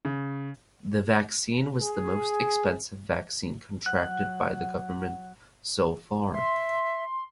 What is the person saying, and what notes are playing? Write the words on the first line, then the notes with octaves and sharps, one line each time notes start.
The vaccine was the most expensive vaccine contracted by the government so far.
C#3
G#4
F#3 F#5 F#6
E5 C6